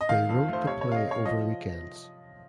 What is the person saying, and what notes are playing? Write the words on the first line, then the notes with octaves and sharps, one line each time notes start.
They wrote the play over weekends.
D#5
D#3 F5
F2
A3 C5
C3 C#5
C#5
C3 F5
D#5
C3 C#5
F3 D#5